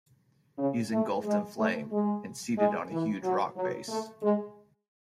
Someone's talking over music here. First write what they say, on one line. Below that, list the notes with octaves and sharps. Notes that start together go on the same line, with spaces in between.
He is engulfed in flame, and seated on a huge rock base.
C#3
A3
G#3
A3
G#3
G#3
E3
F#3
F#3
A3
G#3